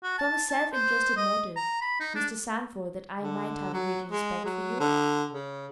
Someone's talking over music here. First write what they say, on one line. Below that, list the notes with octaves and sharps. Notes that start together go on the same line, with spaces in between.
"From a self-interested motive, Mr. Sandford--that I might have a greater respect for you."
F#4
A5
A5
C5
D#5
A#5
B5
D#4
D4
D3
F#3
G#3
F#3
D3
C#3